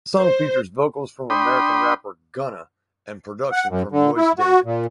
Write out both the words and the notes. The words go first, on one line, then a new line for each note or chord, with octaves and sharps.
The song features vocals from American rapper Gunna and production from Royce David.
C5
D4 G5 B5 C6 D#6
F#5
F#2
D3
E4
F#4
A#2